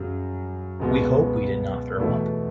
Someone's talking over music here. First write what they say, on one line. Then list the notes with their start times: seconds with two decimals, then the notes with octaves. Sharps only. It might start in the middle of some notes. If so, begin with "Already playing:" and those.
We hope we did not throw up.
Already playing: F#2 C#3 F#3
0.80 C#2 B2 G#3 B3
1.98 E2 B2 A3 E4